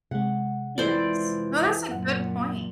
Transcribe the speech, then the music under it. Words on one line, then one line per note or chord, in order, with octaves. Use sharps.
Yes. No, that's a good point.
C3 G#3 F#5
F2 E3 E4 C5 D5
F#2 A#2 F#5